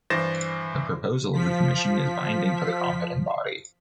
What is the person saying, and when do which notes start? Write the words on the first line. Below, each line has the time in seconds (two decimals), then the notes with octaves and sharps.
The proposal of the commission is binding for the competent body.
0.10 G2 E3 C5 A6 A#6 E7
1.33 F3 B6